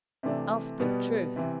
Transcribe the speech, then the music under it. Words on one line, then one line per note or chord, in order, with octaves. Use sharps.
I'll speak truth.
C3 E3 A3 D4
B2 G3 B3
C3 E3